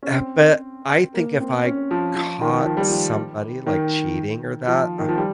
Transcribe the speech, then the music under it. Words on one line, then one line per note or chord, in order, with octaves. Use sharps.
Uh, but I think if I caught somebody, like, cheating or that uh, I'm
C#4
C4
A#3
C4
C#4
F3
F3
D#3
F3
G3
F3
D#3
F3
D#3
F3
G3